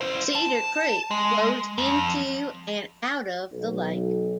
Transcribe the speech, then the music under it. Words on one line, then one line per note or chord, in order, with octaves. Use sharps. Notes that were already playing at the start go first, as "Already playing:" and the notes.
Cedar Creek flows into and out of the lake.
E4 C5
A5
G#3
F2
B1